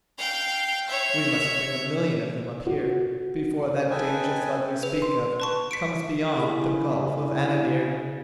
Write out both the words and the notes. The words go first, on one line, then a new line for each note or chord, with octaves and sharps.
We must bring a million of them up here before that danger-flood we speak of comes beyond the Gulf of Anadyr.
F5 G5
C#5 E5
F#4
A4 B4 D#5 G5 G#5
B4
C6
B4 A5 C#6
B6 C#7 D7
C#3 E4 G4 B5